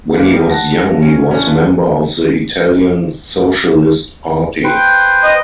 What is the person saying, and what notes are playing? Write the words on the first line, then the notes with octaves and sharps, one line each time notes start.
When he was young he was member of the Italian Socialist Party.
A#3 C#4 B4 F5
G3 D#4
F#5 A5 A#6
C#4
A2 E3 C#4 D4
D4 F4 B4
B4 C5 G5
D#5